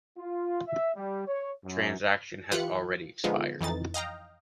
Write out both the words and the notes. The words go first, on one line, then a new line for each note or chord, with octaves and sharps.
Transaction has already expired.
F4
E5
G3
C#5
F#2
E3 F4 G4 B5 F#6 C#7
D3 F3 G#3 B3 D#4 F4
F2 E3 D#4 A6
D#5 F5 G5 A#5